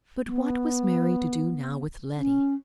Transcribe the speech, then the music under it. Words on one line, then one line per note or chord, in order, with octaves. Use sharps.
But what was Mary to do now with Letty?
B3
C#4